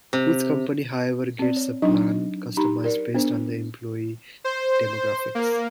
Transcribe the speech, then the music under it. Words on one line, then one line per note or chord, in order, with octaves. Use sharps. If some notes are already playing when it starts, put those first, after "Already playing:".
Each company however gets the plan customized based on the employee demographics.
C3
C4 D5
C#5
F#3 D4 D#4 D#5 C#6
D#4 G4 A#5 B5
A#4 D5
B3 D4 C5
C5
A#3